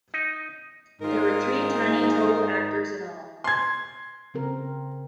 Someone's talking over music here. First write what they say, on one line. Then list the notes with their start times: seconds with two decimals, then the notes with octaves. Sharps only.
There were three Tiny Tov actors in all.
0.14 D#4
1.02 G#2 D#3 D#4 F4 A#4
3.44 C6 G#6
4.34 C#3 C4 A#4